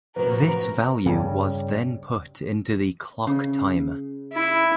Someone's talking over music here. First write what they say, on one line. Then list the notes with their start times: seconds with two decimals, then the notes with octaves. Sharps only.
This value was then put into the clock timer.
0.16 F#2 A2 C3 F3 F#3 A#4 B4
1.06 G2 C#3
3.27 C#3
4.32 E4